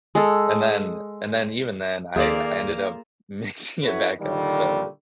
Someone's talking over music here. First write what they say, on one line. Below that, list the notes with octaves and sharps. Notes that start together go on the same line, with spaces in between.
and then and then even then, I I ended up mixing it back up, so it
G#3 A4
D#2 A#3 F4 G#4 A4 C5 D5
C#4 E4 F#4 A4 B4 C#5
A#2 D3 D#3 G3 A3 A#3